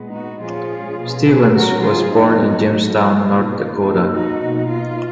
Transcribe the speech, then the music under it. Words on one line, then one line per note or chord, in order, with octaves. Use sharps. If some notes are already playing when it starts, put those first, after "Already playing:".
Stevens was born in Jamestown, North Dakota.
Already playing: A#2 G#3 B3
D#4 F#4
A#2 F3 G#3 C#4 F4 G#4
B2 A#3 C#4
G#4 B4
C#3 F#3 C#4 F#4 A#4
F4 G#4
A#2 F3 G#3 B3 D#4
D#4 F#4
B2 F#3 A#3 D#4
F4
B2 A#3 D#4
F4
F3 A#3 D#4
D#4 F#4
B2 A#3 D#4
F4